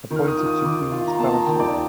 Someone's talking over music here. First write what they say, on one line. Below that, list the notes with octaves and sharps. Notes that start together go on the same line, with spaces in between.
Appointed to Queen's Council.
D#3
F6
D#6
F4
D#6
D#3 D6
F4 C6
A#5
A#3 A5
A#5
D#3 G5
D5